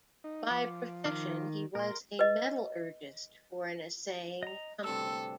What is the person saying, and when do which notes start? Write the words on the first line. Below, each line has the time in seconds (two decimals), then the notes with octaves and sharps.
By profession, he was a metallurgist for an assaying company.
0.24 D#4
0.50 F3 D6
1.05 D#3 D6 F6
1.75 A#2 A#4 C6
2.19 B4 D#5
4.43 D#5 A#5
4.84 D2 G2 C3 A4 E6